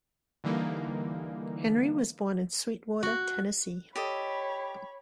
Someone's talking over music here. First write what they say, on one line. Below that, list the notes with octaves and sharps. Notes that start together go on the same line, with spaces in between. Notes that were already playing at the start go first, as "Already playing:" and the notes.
Henry was born in Sweetwater, Tennessee.
D3 E3 G3 A#3 D#4
F#4
G4 A4 C#5 D#5 B5